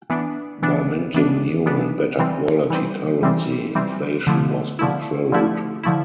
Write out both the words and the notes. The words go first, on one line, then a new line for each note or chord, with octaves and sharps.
By minting new and better quality currency, inflation was controlled.
E3 B3 D4
E3 B3 D4
E3 B3 D4
E3 B3 D4
E3 G3 C4
E3 G3 C4
E3 G3 C4
E3 G3 C4
D3 F3 A3 E4
D3 F3 A3 E4
D3 F3 A3 E4
D3 F3 A3 E4